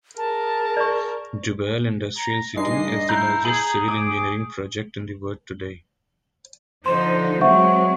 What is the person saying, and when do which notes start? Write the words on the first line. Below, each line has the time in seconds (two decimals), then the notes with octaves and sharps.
Jubail Industrial City is the largest civil engineering project in the world today.
0.18 G#4 A#4 A5
0.77 D5 C#6
2.17 A#5
2.56 G2 G#3 D4 D#4 D#5 C7
3.09 E4 A#5 G6
3.45 G#4 A#5 F#7
3.88 D6 D#6
6.86 D3 F3 D#4 C5 C6
7.41 F#3 G#3 C4 E5 F#5 C#6